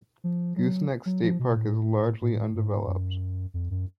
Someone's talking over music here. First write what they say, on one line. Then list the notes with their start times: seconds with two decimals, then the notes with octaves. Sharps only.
Goosenecks State Park is largely undeveloped.
0.24 F3
0.57 F#3
1.06 F#3
1.23 F3
1.39 B2
1.56 A2
2.21 A2
2.55 G#2
2.87 F#2
3.54 F2
3.71 F#2